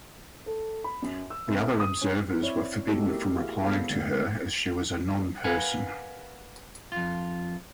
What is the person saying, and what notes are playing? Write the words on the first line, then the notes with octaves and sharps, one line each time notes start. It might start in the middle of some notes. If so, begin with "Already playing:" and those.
The other observers were forbidden from replying to her as she was a 'non-person'.
A4
B5
F#2
E6
C2
D#6
C#4
C4 E4 C#5 D5
A3 B3 D#4 F#4 G4 A4
E4 G4 A#4
E4 F#4 G#4 F5
G#3 B3 A4 B4 C#5 F5
D3 G#3 A3 D5
A#4 B4 F5 F#5 G#5
F2 F4